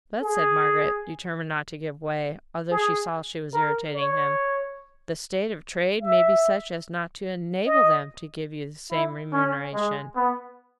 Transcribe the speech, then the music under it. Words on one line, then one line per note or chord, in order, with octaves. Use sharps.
'But said Margaret, determined not to give way, although she saw she was irritating him, 'the state of trade may be such as not to enable them to give you the same remuneration.
G#4
G#4
A#4
C#5
E5
D#5
E4
C#4
G#3
B3